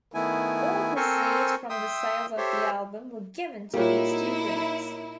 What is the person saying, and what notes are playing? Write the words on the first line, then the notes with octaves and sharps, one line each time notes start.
All proceeds from the sales of the album were given to these two groups.
D#3 A3 B3 E4 G#5
C4 A4 A#4 C5 G#5 C#6
E5 G5 C6 D#6 E6
G4 A4 C5 C#5 E5
A#2 G3 A#3 D#4 E4 F#4 C#5